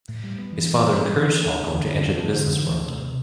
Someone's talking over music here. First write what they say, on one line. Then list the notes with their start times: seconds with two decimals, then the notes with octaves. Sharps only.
His father encouraged Holcomb to enter the business world.
0.09 A2
0.24 G3
0.38 B3
0.53 E3
0.68 E3
0.82 G3
0.97 B3
1.11 E3
1.27 E3
1.41 A3
1.55 D4
1.71 D3
1.85 D3
2.00 A3
2.15 D4
2.28 D3
2.43 D3
2.58 E3
2.73 A3
2.87 C3
3.02 C3